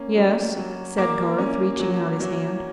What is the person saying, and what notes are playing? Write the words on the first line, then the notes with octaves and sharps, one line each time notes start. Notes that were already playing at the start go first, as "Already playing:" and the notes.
"Yes," said Garth, reaching out his hand.
Already playing: A#3 C#4
F#3
F#3
A#3 D6
C#4
F#3
F#3